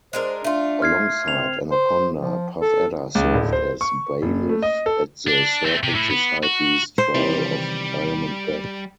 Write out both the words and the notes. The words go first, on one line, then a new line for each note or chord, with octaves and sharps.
Alongside Anaconda, Puff Adder served as bailiff at the Serpent Society's trial of Diamondback.
G#3 D4 A#4 C5
A3 D4 F4
F6 G#6 C7
C4 F7
C5
F3
A4
C#2
D1
C5
C#6
F#1
A3
D#5
A4
D4
A3 C4
C3
A2
B3
F#4
C5
C3 D#3 E3 G3